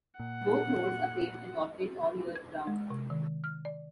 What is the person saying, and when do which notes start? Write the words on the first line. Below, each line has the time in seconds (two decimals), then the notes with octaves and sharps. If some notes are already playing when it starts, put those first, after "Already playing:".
Both roads are paved and operate all year round.
0.19 A#2 F#5
2.36 G#6
2.67 G#3
2.90 C3
3.10 D#3
3.44 F6
3.65 D5